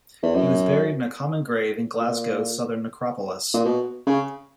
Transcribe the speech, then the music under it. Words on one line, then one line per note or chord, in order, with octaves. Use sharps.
He was buried in a common grave in Glasgow's Southern Necropolis.
E2
F#2
A#2
A#2
B2
C#3